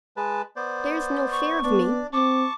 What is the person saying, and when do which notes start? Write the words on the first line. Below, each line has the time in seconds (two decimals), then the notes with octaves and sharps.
There's no fear of me.
0.17 G#3 B4 A5
0.56 B3 C5 D5
1.31 C#6
1.63 B3 D4 D5
2.13 C4 A5 C#6 D6